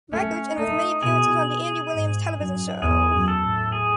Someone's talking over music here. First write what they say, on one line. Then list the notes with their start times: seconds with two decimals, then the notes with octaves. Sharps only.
Records and with many appearances on the Andy Williams television show.
0.12 A3 C#4
0.58 A3 D#4
1.03 B2 G#4
1.93 G#2
2.38 F#2
2.82 E2 G#4
3.13 F#2
3.28 A4
3.43 A2
3.72 G#4